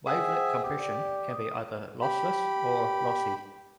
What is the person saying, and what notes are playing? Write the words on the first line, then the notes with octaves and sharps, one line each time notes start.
Wavelet compression can be either lossless or lossy.
G#4 C5 E5 F#5 G5
G4
D5
D#6
G4 B5